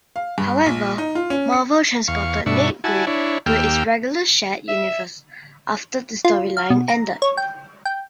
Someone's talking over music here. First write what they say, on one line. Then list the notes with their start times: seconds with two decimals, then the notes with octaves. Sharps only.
However, Marvel transported Nate Grey to its regular shared universe after the storyline ended.
0.16 F5
0.38 G2
0.66 A#1
0.98 D#4
1.15 F4
1.30 C#4
1.52 C#7
2.08 E2 F5 C#6
2.46 G2 B2 D4 E5 C#6
2.84 E4 F#4 G#5 A5
3.07 D4 E4 C#5
3.46 D#2 A#3 G4 G5 E6 F6
4.68 E5
6.25 F4
6.57 F5
6.70 B2
6.88 A#5
7.22 C#5
7.37 G5
7.85 G5